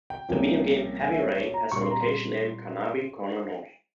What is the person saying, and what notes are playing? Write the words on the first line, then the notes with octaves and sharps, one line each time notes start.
The video game "Heavy Rain" has a location named Carnaby Corner North.
G5
C2 C3 F3 A#3 C#4
G#5
E5
C#5
C#5
A#5
A#2 G3 C4 C#6
C6
A#5
C6